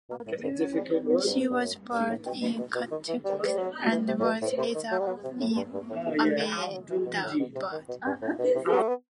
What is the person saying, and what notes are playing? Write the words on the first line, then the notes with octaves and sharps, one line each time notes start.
She was born in Cuttack and was raised up in Ahmedabad.
B2
A2
G2
F#3
G3
G3
F#3
G2
G2
F#2
G2
A2
B2
B2
B2
B2
D#3
E3
G3
G3
F#3
E3
C3
A2
B2
A2
C3
D#3
F#3
G3
F#3
C3
A2
G2
G2
A2
B2
C3
D#3
F#3
G3
F#3
E3
B2
A2
B2
C3
D#3
B2
G2
A2
B2
C3
B3
A3
B3